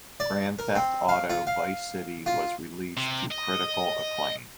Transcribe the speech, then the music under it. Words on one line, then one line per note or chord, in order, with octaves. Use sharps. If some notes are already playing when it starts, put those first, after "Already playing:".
"Grand Theft Auto: Vice City" was released to critical acclaim.
D5
A#4
C4
F5
F4
F5
F4
C3
D#5